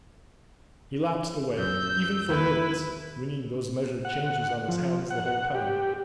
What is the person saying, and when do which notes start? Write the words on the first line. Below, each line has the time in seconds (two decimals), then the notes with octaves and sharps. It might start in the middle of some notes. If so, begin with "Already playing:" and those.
He lapsed away, even for minutes, ringing those measured changes on his hands the whole time.
1.59 F#2 E6 G6
2.29 D#2 E4 B4 B5
4.05 F#5
4.68 F3
5.11 F#5
5.55 G4